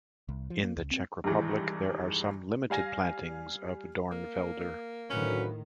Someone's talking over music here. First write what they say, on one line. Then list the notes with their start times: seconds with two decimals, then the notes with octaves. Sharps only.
In the Czech Republic, there are some limited plantings of Dornfelder.
0.29 C2
0.50 F3
0.63 A#3
0.76 C#2
0.91 C4
1.24 G2 C3 D#3 E3 G#3
2.70 G3 F5 G#5 A#6
4.12 A#3
5.10 D2 A2 D#3 F#3 C#4 B4